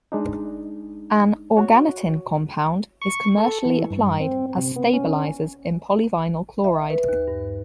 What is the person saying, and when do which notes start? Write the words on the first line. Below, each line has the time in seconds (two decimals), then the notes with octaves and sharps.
An organotin compound is commercially applied as stabilizers in polyvinyl chloride.
0.12 G#3 D4 D#4
1.57 F#4 C#5
3.02 C#6
3.38 A4
3.65 E3
3.91 G2
4.20 C4
4.57 C3
4.76 B3
4.93 C#4
6.64 E5
6.90 B4
7.08 D#2
7.28 G2